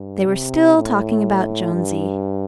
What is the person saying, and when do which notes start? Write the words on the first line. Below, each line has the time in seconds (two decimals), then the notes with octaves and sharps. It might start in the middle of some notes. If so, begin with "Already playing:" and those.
They were still talking about Jonesy.
Already playing: G2
0.27 C3
0.76 A2
1.74 G2